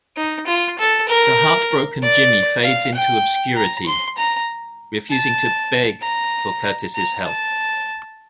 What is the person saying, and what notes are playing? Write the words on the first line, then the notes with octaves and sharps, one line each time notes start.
The heartbroken Jimmy fades into obscurity, refusing to "beg" for Curtis' help.
D#4
F4
A4
A#4
D5
F5
G5
A#5
C6
A#5
A5
A#5
A#5
A5